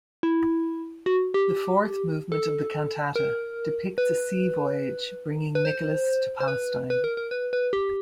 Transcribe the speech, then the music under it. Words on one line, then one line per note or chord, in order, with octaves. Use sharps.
The fourth movement of the cantata depicts a sea voyage bringing Nicolas to Palestine.
E4
F#4
G4
A4
A#4
B4
B4
C5
C5
B4
B4
A#4
A#4
B4
B4
G4